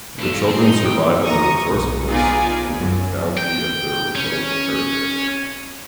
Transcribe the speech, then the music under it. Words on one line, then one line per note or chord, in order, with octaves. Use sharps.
The children survive on their resourcefulness and the bounty of their remote paradise.
E2 A3
F2
C4
D#4
G5
A#5 C#6 D#6
B1
B3 D#4 F4 G#4 D5 G#5
F#2
G5
C#4